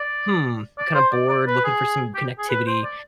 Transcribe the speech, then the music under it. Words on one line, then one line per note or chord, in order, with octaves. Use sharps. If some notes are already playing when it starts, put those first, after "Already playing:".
"Hmm." Kinda bored, looking for some connectivity,
Already playing: D5
D5
C5
D5
D5
B4
G#4
G4
G#4
B4
C5
D5